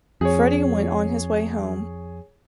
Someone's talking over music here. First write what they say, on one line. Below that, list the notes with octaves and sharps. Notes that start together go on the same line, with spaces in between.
Freddie went on his way home.
F2 G#4 C#5